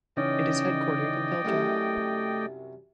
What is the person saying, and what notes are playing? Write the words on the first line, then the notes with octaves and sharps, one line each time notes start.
It is headquartered in Belgium.
C#3 E3 C#4 D#4 D5 D#5 G5
C2 F#2 C3 A3 G4